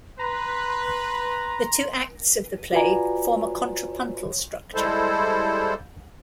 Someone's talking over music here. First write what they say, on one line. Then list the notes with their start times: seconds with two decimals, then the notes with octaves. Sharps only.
The two acts of the play form a contrapuntal structure.
0.20 B4 A#5 C6
2.73 F4 F#4 B4 D5 G#5 A#5
4.75 G3 G#3 E4 A4 C5